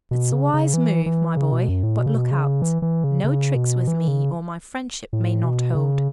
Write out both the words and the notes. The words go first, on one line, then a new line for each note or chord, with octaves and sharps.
It's a wise move, my boy, but look out! No tricks with me or my friendship may not hold.
B2
C#3
C#3
E3
E3
C#3
B2
F#2
A2
B2
C#3
B2
C#3
E3
E3
C#3
C#3
B2
E3
C#3
A2
B2
C#3